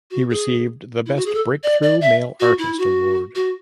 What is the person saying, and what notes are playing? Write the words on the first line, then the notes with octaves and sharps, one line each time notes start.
He received the Best Breakthrough Male Artist award.
F#4
G#4
E4
F#4
G#4
A4
D5
D5
E5
F#4
E4
F#4
F#4